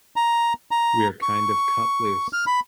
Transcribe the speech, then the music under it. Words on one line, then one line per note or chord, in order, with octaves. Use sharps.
We're kind of cut loose.
A#5
A#5
C#6
F6
B5